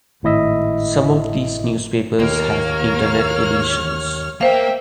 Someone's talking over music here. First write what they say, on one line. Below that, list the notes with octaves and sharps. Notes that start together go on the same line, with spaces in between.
Some of these newspapers have Internet editions.
G#1 A2 E4 D#5 E5
D#2 A#3 C#5 F6
A#3 C5 E5 F5 G5